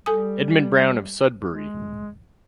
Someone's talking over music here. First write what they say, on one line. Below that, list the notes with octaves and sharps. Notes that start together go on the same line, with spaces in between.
Edmund Brown of Sudbury.
G3 A4 G#5 D#6
G#3